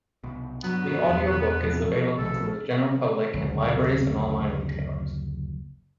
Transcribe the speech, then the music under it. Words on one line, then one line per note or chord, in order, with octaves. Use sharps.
The audio book is available to the general public in libraries and online retailers.
C2 B2
G2 F#3 B3
E2
C3 F3
B1 B2 F3 A3 A4
F#1 D2